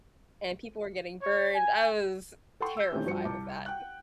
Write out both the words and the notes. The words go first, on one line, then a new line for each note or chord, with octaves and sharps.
and people were getting burned, I was terrified of that,
C#5
G#5
A4 F#5 G5 C6 C#6
E6 G6
D#3 E3 A3 C4 C#4 G4
G2 F3 F#4 C5 C#7
C2 A5 D6
F#5 G5 F#6